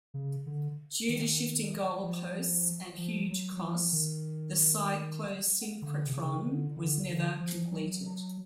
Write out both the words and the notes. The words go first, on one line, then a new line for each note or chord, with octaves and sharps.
Due to shifting goalposts and huge costs the cyclo-synchrotron was never completed.
C#3
D3
D#3
F3
F3
F#3
F#3
F3
D#3
D3
C3
C#3
D3
D3
D3
F3
F#3